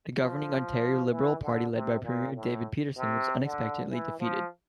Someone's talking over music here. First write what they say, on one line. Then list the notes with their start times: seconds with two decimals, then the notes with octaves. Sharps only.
The governing Ontario Liberal Party led by Premier David Peterson was unexpectedly defeated.
0.19 F3
1.11 E3
1.42 D3
1.73 C3
2.04 A#2
2.35 A2
2.96 C3
3.43 D3
3.90 E3
4.20 F3